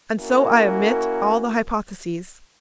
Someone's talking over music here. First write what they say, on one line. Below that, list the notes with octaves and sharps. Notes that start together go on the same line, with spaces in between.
And so I omit all the hypotheses.
A#3 C#4 E4 F#4 A#4